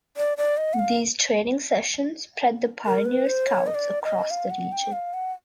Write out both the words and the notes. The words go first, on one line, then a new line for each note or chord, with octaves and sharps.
These training sessions spread the Pioneer-Scouts across the region.
D5
D5
D#5
F#5
F5
A#4
B4
C5
C#5
D#5
D5
D#5
F5
F#5
G5
F5
F#5